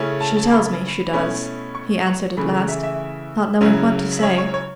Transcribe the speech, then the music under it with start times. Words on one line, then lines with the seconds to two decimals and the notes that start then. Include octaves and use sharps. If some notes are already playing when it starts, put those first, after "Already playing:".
"She tells me she does," he answered at last, not knowing what to say.
Already playing: C#3 A3 C#4 E4
0.21 A5
0.37 A5
0.52 B5
1.13 B2 A3 C#4 E4 B5
1.75 C#6
2.07 C#6
2.37 C#3 E3 A3 B5
2.69 E5
2.83 E5
3.61 C#3 F#3 C#4 E4
4.19 E5
4.23 C#5
4.38 C#5
4.54 C#5